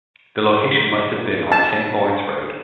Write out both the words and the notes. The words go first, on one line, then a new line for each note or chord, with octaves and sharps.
The location must have been on Saint Lawrence Road.
A5